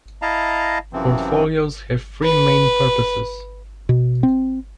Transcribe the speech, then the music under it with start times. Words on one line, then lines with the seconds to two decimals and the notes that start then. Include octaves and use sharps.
Portfolios have three main purposes.
0.22 E4 D#5 F5 A5 A#5
0.93 F#2 C3 E3 F3 C4
2.24 B4
3.89 B2
4.23 C4